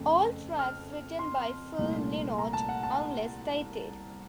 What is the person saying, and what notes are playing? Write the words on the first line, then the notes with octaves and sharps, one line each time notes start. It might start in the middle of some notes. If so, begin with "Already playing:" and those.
All tracks written by Phil Lynott unless stated.
Already playing: F2 C#3 A3
F6
C6
C2 A#2 A3
A#5
A5
F#5
A5